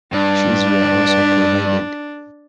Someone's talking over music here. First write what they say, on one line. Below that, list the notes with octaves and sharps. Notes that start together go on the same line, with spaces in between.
Shoes were also provided.
G2 D4